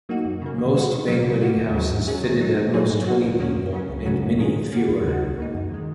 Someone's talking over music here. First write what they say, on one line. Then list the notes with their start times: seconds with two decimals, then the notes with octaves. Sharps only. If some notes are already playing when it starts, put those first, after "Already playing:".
Most banqueting houses fitted at most twenty people, and many fewer.
0.09 F#3 A#3 D#4 F#4
0.25 F#2
0.42 C#3 A#3
0.58 D#3
0.74 G#3 F#4
0.91 D#3
1.08 F#3 A#3
1.24 C#3
1.41 A#3 F#4
1.57 D#2
1.74 C#3 F#3
1.90 G#2
2.07 F#3 C#4 G#4
2.23 D#3
2.41 F#3 D#4
2.57 A#2
2.73 F#3 A#3 D#4 G#4
2.90 G#2
3.06 F#3 A#3 F#4
3.23 D#2
3.39 D#3 A#3 C#4 F#4
3.56 F#2
3.73 C#3 F#3 C#4
3.89 C#2
4.06 C#3 F#3 C#4 F#4
4.22 F#2
4.38 D#3 G#3 C#4 G#4
4.56 A#2
4.72 A#3 F#4
4.89 D#2
5.05 C#3 G#3 D#4 F#4
5.21 C#2
5.38 C#3 A#3 D#4
5.55 F#2
5.71 D#3 G#3